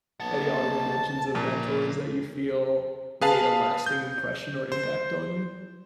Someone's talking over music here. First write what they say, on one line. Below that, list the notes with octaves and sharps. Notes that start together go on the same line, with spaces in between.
Any honorable mentions of mentors that you feel made a lasting impression or impact on you?
B1 A#3 F#5 A5
A#2 F3 A#3
G#4 B4 F5 A5
G6
C5